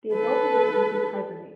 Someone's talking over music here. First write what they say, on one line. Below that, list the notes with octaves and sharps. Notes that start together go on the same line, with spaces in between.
The adults of the species hibernate.
A4 B4